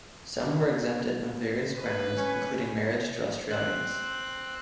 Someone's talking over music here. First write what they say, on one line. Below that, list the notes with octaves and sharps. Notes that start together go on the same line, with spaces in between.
Some were exempted on various grounds, including marriage to Australians.
B4
C#4
C4 F#6